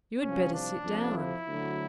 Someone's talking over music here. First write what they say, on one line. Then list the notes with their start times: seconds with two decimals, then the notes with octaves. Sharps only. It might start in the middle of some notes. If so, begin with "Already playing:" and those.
"You had better sit down."
0.20 C2 C3 F3 C#4
0.51 D4
0.83 F2 C3 F3
1.15 E4
1.46 D2 D3 F#3